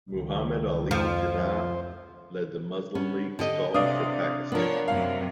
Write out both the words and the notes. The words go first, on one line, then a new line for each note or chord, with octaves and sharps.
Muhammad Ali Jinnah led the Muslim League's call for Pakistan.
C#2 D#3
F2 F3 C5
B3 C#4
D3 G4 D#5
C3 D4 D5 F5 D#6
F3 B3 D4 A#4 C#5
F#2 C3 F5